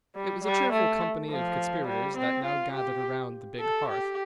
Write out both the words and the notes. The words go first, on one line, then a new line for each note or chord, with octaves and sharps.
It was a cheerful company of conspirators that now gathered around the big hearth.
G3
G3
A3
F3
G3
C4
F4
G4
A4
G4